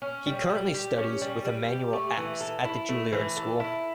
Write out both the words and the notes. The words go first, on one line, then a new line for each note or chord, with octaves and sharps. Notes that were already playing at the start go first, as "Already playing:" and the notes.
He currently studies with Emanuel Ax at the Juilliard School.
C#4
G3
G3
G4
C#4
G3
G3
G4
A3
E3
A4
E4
A3
E3
A4
E4